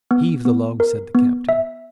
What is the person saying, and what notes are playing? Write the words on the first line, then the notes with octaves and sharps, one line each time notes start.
"Heave the log," said the captain.
B3
B3
A#4
B3
E5